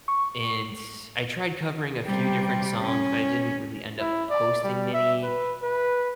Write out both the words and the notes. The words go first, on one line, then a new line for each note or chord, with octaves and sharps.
and I tried covering a few different songs, but I didn't really end up posting many.
C#6
C3 G3
C#4
E4
D5
G3
E5
B4
B4